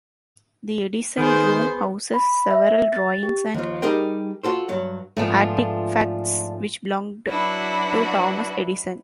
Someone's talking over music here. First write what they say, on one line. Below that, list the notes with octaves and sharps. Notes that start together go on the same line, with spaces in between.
The Edison room houses several drawings and artifacts which belonged to Thomas Edison.
D#3 B3 G#4 C5
B5
E5
A6
G4
D#2 F3
G3 D#4 G4 G#4 A#4 G5
F4 F#4 A4 C5
G2 F#3
G#2 F3 A3 B3 D4 F4
F#3 D4 E4 F#4 B4